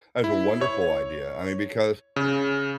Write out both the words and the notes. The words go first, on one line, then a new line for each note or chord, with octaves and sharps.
That's a wonderful idea, I mean, because
E4
C#5
C#3